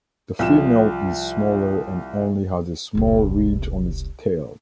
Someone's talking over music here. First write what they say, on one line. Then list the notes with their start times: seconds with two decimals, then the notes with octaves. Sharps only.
The female is smaller and only has a small ridge on its tail.
0.39 C2 F3 E7
2.95 E1 C2